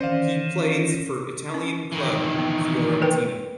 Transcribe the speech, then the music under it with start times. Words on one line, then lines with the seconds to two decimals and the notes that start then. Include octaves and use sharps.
He plays for Italian club Fiorentina.
0.01 D#3 E3 C#4 C5 D5 F5
1.54 C#4
1.92 D#3 E3
2.38 B3
3.02 A#4 B4 G5